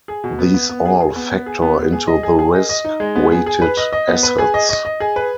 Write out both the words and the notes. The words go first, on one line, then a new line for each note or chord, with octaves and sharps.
These all factor into the risk weighted assets.
G#4
B2
B3
B3
B3
G#4
G#4
B3
B3
G#4
B3
B3
G#4
D#5
G#4
G#4
D#5
D#5
D#4
G#3
B3
G#4
G#4
B4
D#5
D#5
B3
B4
G#4
D#5
D#5
D#5
G#4
B4